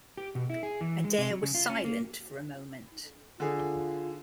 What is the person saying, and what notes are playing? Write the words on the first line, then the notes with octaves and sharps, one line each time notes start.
Adair was silent for a moment.
G4
B2
E4
G#4
E3
G#3
C3
F#3
C#3
F4
C#4
A#3
D3 F4 G#4